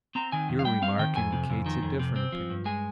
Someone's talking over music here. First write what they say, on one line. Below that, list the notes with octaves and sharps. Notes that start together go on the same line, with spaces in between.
Your remark indicates a different opinion....
C4 A#5
D#3 G#5
F2
F5
G3 G5
C4 F5
D#3 G5
F2 G#5
C3
F2
D#3
F2
C3
C4
F3
G2
G#3 G#5